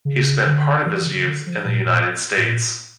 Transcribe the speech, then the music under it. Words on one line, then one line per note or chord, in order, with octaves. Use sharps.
He spent part of his youth in the United States.
C#3
D3
E3
C#3
D3
F3
A#2
A#2
A2
A#2